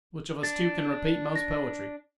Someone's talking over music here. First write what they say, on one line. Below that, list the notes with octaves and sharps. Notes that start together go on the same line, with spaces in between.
Which of us two can repeat most poetry?
D4 A6
A#6